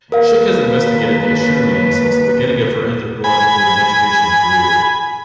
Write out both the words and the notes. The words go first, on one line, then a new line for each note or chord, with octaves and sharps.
Schick has investigated the acheulean since the beginning of her anthropological and educational career.
D#2 A#4 B4 F5
G#5 B5